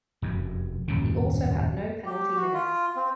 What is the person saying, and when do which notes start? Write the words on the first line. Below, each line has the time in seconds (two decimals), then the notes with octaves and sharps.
He also had no penalty minutes.
0.22 F1 F#2
0.88 D#1 F#2 A2 C#3
2.06 G4
2.37 F#4
2.54 F4
2.96 C4